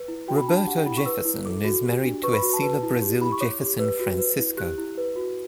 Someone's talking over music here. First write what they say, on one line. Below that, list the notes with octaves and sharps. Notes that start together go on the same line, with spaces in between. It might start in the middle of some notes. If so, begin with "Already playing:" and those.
Roberto Jefferson is married to Ecila Brazil Jefferson Francisco.
Already playing: B4
E4
F#4 G5
B5
D4 A5
G5
G4 F#5
G5
E4 B5
C#6
B4 E6
E4
A4 D6
F#4
G4
D4
B4 C#6
B5
F#4
A5
B4
E4
G4
E4 B5
C#6
C#5 D6
G4
B4
F#4
B4
E4
G4 F#6
E4
B4
F#4